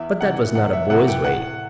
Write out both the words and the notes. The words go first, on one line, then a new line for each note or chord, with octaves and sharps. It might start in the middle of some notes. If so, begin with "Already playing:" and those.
But that was not a boy's way.
Already playing: E2 E5
C3 E3 F#5
E2 F#5
E5
C3 E3 F#5
G5
A2 F#5